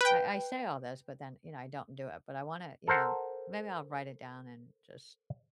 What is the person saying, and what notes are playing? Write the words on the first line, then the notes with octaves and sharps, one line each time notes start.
I I say all this, but then, you know, I don't do it. But I wanna, you know maybe I'll write it down and just,
B4 G5
A4 A#4 C5 F#5